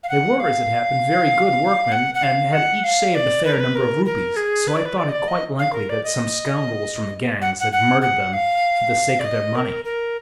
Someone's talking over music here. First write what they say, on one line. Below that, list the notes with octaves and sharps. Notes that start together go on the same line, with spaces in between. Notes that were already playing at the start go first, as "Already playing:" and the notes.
They were, as it happened, very good workmen, and had each saved a fair number of rupees, so I thought it quite likely that some scoundrels from the gangs had murdered them for the sake of their money.
F5
F#5
F5
F#5
F#5
F5
F#5
F5
D5
B4
A#4
B4
A#4
A#4
G#4
B4
D5
B4
D5
D#5
D5
D#5
F5
A#4
D5
D#5
F#5
F#5
F#5
F#5
F5
D5
D#5
A#4
A#4